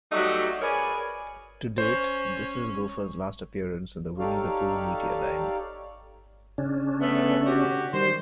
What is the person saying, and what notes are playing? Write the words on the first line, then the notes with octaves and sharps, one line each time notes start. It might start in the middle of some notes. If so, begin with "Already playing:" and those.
To date, this is Gopher's last appearance in the "Winnie the Pooh" media line.
F#3 G3 A3 D#4 F#4 G4
G#4 A#4 B4 C#5 D5 G#5
C#4 C5
D#4 G4 A4 C#5 D5 F5
C#3 C#4 D4
A3 B3
F#4 G4
D#3 G3 C5